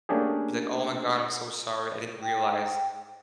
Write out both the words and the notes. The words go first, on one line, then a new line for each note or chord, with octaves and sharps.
be, like, "Oh my god. I'm so sorry. I didn't realize,"
A3 A#3 C#4 D4 G4 G#4
G5